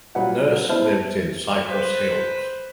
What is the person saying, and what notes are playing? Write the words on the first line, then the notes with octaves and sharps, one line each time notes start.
Nurse lives in Cypress Hills.
A#2 F#3 G3 F4 B4 F#5
B3 E4 C5 A5 F6
B4 C5